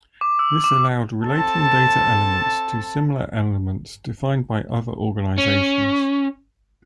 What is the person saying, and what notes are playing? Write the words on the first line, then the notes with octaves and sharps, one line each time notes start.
This allowed relating data elements to similar elements defined by other organizations.
D6
E6
D6
C4 A4 A5
C#4